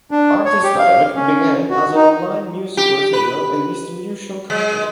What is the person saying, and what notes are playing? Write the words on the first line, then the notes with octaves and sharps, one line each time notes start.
Artistdirect began as an online music retailer and distribution company.
D4
C#5
G4
F5
C#4
F#4
D#4
G4
B4
G#3